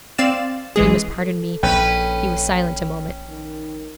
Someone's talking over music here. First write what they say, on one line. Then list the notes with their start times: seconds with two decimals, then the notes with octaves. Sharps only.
You must pardon me.' He was silent a moment.
0.18 C4 D5 F5 A6 E7
0.76 A1 E3 G#3 G#4
1.19 A4
1.63 A#1 C#4 B4 G5
3.28 D#3